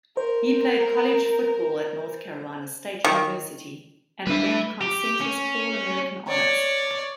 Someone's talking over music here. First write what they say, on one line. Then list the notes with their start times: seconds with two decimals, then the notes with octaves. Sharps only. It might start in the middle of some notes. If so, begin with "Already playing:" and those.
He played college football at North Carolina State University, and earned consensus All-American honors.
0.17 A#4 C5
3.04 D#3
4.27 G3 D4 B4 E5
4.81 G4
5.21 C#4
6.28 C#5 D5